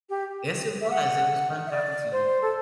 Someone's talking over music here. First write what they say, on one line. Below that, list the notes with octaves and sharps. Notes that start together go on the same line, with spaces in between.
Yes, it was, it was fun talking to you.
G4
E5
F#5
E5
D5
C5
A4